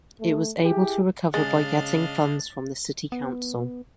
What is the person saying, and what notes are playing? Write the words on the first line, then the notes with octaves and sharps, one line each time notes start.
It was able to recover by getting funds from the city council.
A3
E4 G4 G#4
C#3 G#3 D4 D#5 F5 A6
B3